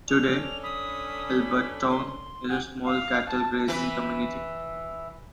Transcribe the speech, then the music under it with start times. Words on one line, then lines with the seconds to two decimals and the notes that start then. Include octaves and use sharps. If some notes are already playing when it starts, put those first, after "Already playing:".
Today, Alberton is a small cattle grazing community.
0.08 C#4 D4 A4 F7
0.63 B5 D#6
1.90 C6
2.49 G#4 F#5 G5
2.86 F5
3.30 A5
3.68 E3 B4